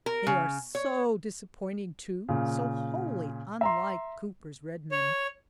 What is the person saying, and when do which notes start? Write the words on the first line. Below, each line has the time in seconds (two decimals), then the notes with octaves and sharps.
They are so disappointing, too--so wholly unlike Cooper's red men.
0.06 A#4
0.27 C#3
0.75 C#5
2.29 A#2 C#3
3.61 E5 A#5 C6
4.91 C#5